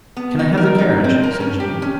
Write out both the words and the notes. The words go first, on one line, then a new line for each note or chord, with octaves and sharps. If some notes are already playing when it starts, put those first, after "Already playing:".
"Can I have the carriage?" said Jane.
B3
D#4
A#4
D#4
C4
A#4
C#4
G4
C#4